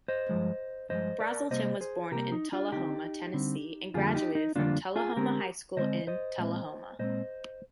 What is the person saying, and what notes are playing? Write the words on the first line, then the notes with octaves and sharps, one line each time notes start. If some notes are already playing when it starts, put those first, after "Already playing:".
Brazelton was born in Tullahoma, Tennessee and graduated from Tullahoma High School in Tullahoma.
C5 D#5
G2 F3 G#3
G2 F3 G#3 C5 D#5
A#4 D5
C3 G3 A#3 C5 D#5
G#4 C5
C3 G3 A#3 G4 A#4
D#4
D4 F4
D3 G3 C4 D#4 G4
D3 G3 C4
F2 D3 G3 A#3 F4 G#4
D#4 G4
D#4
F2 D3 G3 A#3 D4 F4
F4 G#4
D3 G#3 C4 G4 A#4
D3 G#3 C4 C5 D#5
C5 D#5
A#2 G#3 C4
A#2 G#3 C4 C5 D#5